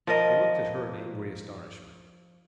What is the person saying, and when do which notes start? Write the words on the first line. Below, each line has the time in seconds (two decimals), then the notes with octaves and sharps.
He looked at her in angry astonishment.
0.07 F3 A#4 D#5